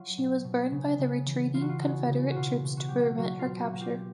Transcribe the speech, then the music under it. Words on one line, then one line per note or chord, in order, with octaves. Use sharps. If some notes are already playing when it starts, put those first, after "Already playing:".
She was burned by the retreating Confederate troops to prevent her capture.
Already playing: F#3 F4
B2
B2
C#3
C#3
E3
E3 F4
F#4
F4
C#3 F#4
C#3
F#4
B2 F4
B2
F#4
F#3 G4
F#4
F#3 F#4
F4
B2
F#4
B2
F4 G4
G4